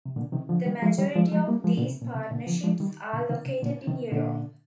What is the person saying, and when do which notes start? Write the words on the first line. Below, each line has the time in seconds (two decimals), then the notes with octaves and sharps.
The majority of these partnerships are located in Europe.
0.06 C3
0.16 A#2 D3
0.33 C3 D#3
0.49 D3 F3
0.65 D#3 G3
0.82 F3 G#3
0.98 D#3 G3
1.15 F3 G#3
1.32 F3 G#3
1.48 G3 A#3
1.64 F3 G#3
1.77 A#2 D3
1.89 C3
2.01 A#2
2.14 C3
2.31 A#2 D3
2.47 D3 F3
2.64 F3 G#3
2.80 D#3 G3
3.13 A#2 D3
3.29 C3 D#3
3.46 C3
3.63 A#2 D3
3.87 C3 D#3
4.12 A#2 D3